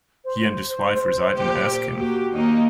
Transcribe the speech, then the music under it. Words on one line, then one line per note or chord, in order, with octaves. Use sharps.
He and his wife reside in Erskine.
C5
A#2 G4
A#3 F#4 G4
D#2 A#3 D#4